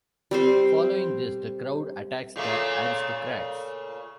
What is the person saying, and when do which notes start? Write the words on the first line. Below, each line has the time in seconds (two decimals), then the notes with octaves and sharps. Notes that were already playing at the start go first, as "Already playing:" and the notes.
Following this, the crowd attacks the aristocrats.
0.31 G3 C4 C5
2.36 A#2 C#3 A3